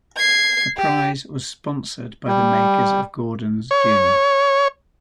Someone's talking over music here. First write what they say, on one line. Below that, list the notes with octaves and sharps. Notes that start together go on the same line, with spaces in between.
The prize was sponsored by the makers of Gordon's Gin.
G#6 C7
G4
G3
C#5